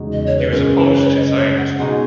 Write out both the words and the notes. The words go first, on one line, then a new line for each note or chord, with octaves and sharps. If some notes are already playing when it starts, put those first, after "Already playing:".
He was opposed to Zionism.
Already playing: E2 C#3 G#3 D#4 F#4
D#5
C#5
B4
F#2 C#3 G#3 C#4 A#4
C#5
B4
C#5
D#5
C#5
F#5
B2 G#3 D#4 F#4 F#5